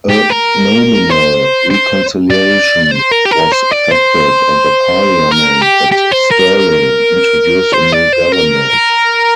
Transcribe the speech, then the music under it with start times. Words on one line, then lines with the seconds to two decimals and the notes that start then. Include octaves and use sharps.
A nominal reconciliation was effected, and a parliament at Stirling introduced a new government.
0.10 G4
0.30 A#4
1.10 C5
1.70 C5
2.30 D5
2.91 C5
3.11 A#4
3.25 G4
3.31 A#4
3.52 C5
3.71 D5
3.91 C5
5.31 A#4
5.62 G4
5.91 G4
6.11 C5
6.31 A#4
7.73 C5
7.92 D5
8.13 C5
8.32 A#4